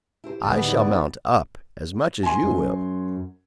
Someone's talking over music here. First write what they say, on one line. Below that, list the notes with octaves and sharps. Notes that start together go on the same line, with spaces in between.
"I shall mount up as much as you will."
E4 G4 C5
D1 G#2 D#3 G3 G#3 B3 D5
A#3 D#4 E4
G#5 C6
F#2